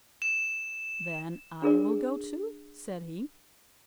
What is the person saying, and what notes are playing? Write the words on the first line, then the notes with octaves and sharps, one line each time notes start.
"Then I will go too," said he.
E7
D4 G#4 A#4 D5